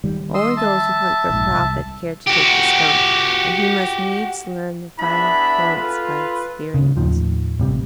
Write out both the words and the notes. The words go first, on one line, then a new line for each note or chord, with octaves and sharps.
Only those who hunt for profit, care to take the skunk, and he must needs learn the finer points by experience.
D#3 G3
D#5 C6 E6
E5 A5
A#1 G#2
C2
F#4 G4
B3 D4 E4 G#4 E5 B5
F4 A4 B4
C#3
D#2 A2 D#3 F3
A1 C3 G3